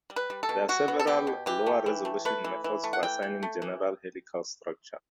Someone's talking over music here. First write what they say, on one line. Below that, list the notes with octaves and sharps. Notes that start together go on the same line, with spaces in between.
There are several lower-resolution methods for assigning general helical structure.
G3
B4
G3
A4
B2
G3 F#4
B3
A4
B3 G4
B2
E3 G4
A3
E3
A3
A3 B4
E3
E3
A3
F#5
E3 G5
E3
A3
E3